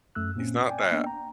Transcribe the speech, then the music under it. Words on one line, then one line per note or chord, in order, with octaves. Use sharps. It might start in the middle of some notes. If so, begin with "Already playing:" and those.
He's not that
F#2 A3 E6 F#6
A#2 A#3 C4 C#4
D5 G5 G#5
A#3 B3 D4
G5 A#5